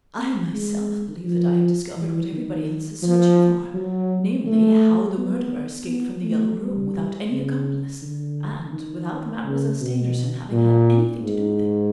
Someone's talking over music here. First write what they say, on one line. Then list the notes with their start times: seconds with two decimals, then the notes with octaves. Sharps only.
I myself believe that I have discovered what everybody else is searching for, namely, how the murderer escaped from The Yellow Room, without any accomplice, and without Mademoiselle Stangerson having had anything to do with it.
0.17 C4
0.53 G#3
1.24 F3
1.96 E3
2.32 D#3
3.02 F3
3.74 F#3
4.46 A3
5.17 B3
5.88 B3
6.24 A3
6.59 G3
7.31 C#3
8.02 D3
8.73 D#3
9.45 C#3
9.80 B2
10.51 A#2
11.23 G#2